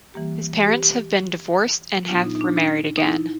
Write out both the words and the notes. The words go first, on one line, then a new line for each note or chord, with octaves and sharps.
His parents have been divorced and have remarried again.
E3 G3 A#3 G4
G4
A#2 F#3 B3 D4 F4
D#4
D#4
D4
D#4
D#4
E4